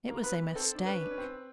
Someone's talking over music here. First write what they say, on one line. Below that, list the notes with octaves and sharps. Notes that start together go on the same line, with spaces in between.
It was a mistake.
A#3
B3 B4
C4 A4
D4
C#4 B4
D4
C#4
C4